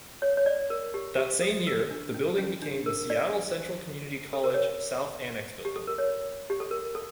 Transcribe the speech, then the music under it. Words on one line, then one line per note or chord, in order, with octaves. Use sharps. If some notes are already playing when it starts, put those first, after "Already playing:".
That same year, the building became the Seattle Central Community College south annex building.
C#5
C#5
D5
A#4
G4
G4
A4
A#4
D4
C#4
C#4
D4
A#4
D5
A4
A#4
C#5
G4
A4
A#4
C#5
G4
A4
A#4
A4